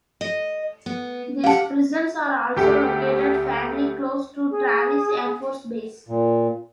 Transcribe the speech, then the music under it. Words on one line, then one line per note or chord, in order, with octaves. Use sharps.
These prisons are also located fairly close to Travis Air Force Base.
D#5
B3
G4 F5 F#5 A5
D2 A3 G4 G#4
G#4
A#2